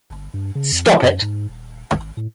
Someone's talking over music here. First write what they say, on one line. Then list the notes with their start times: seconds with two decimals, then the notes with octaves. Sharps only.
Stop it!
0.11 G1
0.34 G2
0.55 C#3
0.72 F2
0.86 F3
1.03 F#2
1.22 G#2
1.49 D#1
1.92 G#1
2.17 A2